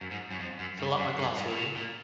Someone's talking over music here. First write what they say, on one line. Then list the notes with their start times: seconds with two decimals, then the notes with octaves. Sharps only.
Fill up my glass, will you?
0.01 F#2
0.11 G#2
0.31 F#2
0.40 F2
0.59 F#2
0.79 G2
0.98 F#2
1.17 G2
1.37 G#2
1.50 A#2
1.56 A2
1.76 A#2